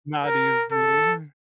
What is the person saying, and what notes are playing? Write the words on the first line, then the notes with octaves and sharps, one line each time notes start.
not easy.
A#4
A4